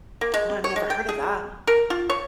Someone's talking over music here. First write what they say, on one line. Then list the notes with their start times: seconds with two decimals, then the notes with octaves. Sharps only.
Oh, I've never heard of that.
0.21 A#3
0.34 G#3
0.64 C#5
0.76 G#3
0.90 G5
1.09 G#4
1.67 A#4
1.90 F4
2.10 C#5